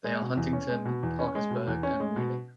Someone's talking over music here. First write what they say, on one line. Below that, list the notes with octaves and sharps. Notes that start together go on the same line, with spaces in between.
They are Huntington, Parkersburg, and Wheeling.
G#3
B2
E2
C#4
G#3
B2
E2
C#4
G#3
B2
E2
C#4
G#3
B2